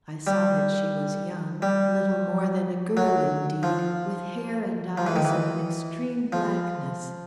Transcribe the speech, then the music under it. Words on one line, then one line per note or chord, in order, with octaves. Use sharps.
I saw that she was young, little more than a girl indeed, with hair and eyes of an extreme blackness.
G3
G3
F#3
F3
F3
E3
D#3
E3
F3